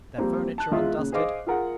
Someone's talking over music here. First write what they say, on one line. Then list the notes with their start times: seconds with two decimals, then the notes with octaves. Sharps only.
Their furniture undusted.
0.18 F3 G3 A#3 C4
0.58 A5 F#6
0.72 E2 G#3 F4 E5
0.98 A#2 C#3
1.12 G#4 C5 D#5 F5 D6
1.47 F4 G#4 A#4 F#5